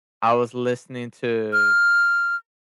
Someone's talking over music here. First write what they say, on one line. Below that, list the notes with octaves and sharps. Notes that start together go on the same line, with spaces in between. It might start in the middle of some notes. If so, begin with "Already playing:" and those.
I was listening to
F6